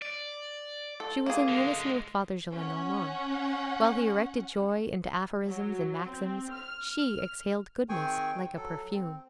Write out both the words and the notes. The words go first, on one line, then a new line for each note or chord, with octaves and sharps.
She was in unison with Father Gillenormand; while he erected joy into aphorisms and maxims, she exhaled goodness like a perfume.
D5
A4
A#3 G#4
D3 G#3
C#4 F#5
F#3
C4
F6
D#3 C4 G#4 G5 G#5 C#6
F#3 A4
C4